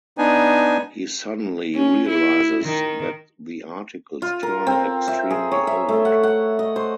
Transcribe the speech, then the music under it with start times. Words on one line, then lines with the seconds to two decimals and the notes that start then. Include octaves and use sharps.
He suddenly realizes that the articles turn extremely old.
0.18 B3 D4 D#4 G#5
1.75 C#4
2.08 E4
2.64 D#3
4.22 F4
4.43 A#4
4.67 C4
5.08 E5
5.30 G#4
5.51 C#5
5.67 E5
5.89 A3
6.05 F#5
6.23 F#5
6.59 D#5
6.76 C5